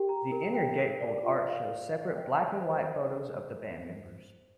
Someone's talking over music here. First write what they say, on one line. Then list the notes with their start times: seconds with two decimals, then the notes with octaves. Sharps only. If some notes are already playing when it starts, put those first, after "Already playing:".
The inner gatefold art shows separate black-and-white photos of the band members.
Already playing: G4 A#4 G5
0.09 A#5
0.32 A#4
0.54 G5
0.78 A#4
1.01 D5
1.23 F4
1.46 F5
1.69 A#4
1.92 D5
2.15 G5
2.38 C6
2.60 C5